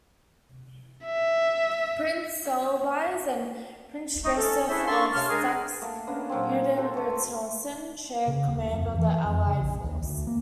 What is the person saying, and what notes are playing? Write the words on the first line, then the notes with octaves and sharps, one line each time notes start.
Prince Soubise and Prince Joseph of Saxe-Hildburghausen shared command of the Allied force.
E5
A3 D#4
C#4 A4
C#4 D4 E4 G#4 C5 E5
D4 A4 A#4 A5 C6 C#6
C3 C#5 F5 A5 C6 F6
G#3 D4 G#4 A#4
A3 A#3 D6
A#3 B3 C#4 D4
A#2 F#3 A#3 C4
G#4
C4 F#4 A4 C5
A3
C#3
D#1
F2
F2
E3
F2
C#3
A#1
D#2
D2
A#3